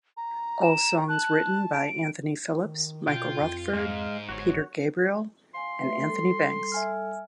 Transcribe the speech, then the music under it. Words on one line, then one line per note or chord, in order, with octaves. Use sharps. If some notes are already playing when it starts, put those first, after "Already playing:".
All songs written by Anthony Phillips, Michael Rutherford, Peter Gabriel and Anthony Banks.
A#5
E7
A5 F#6
D7
D#3
B2 F4 G5
F2
G#2 G#3 F5
G1 F#4 C#5
F5 G#5 C6
A3 B4 E5
G3 A4
E5 G#5 F6